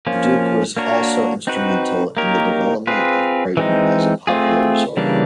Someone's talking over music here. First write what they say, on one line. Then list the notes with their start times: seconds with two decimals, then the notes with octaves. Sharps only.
The Duke was also instrumental in the development of Brighton as a popular resort.
0.07 F3 A#3 C#4 F4
0.77 A#3 D4 F#4 A#4 C#5
1.47 C4 D#4 F#4 B4
2.17 A#3 D#4 G4 A#4 C#5
2.87 C4 F4 G#4 B4
3.57 E3 G#3 C4 D#4
4.27 A3 C4 F4 G#4
4.97 C#3 E3 G3 A#3 D4